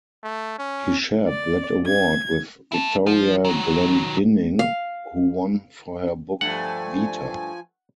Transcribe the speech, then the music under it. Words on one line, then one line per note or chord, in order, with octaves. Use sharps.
He shared that award with Victoria Glendinning, who won for her book "Vita".
A3
C#4
D5
G#6
E4 A4
F3
D#3 F#3
F5
G2 F3 A3 F#5 G#5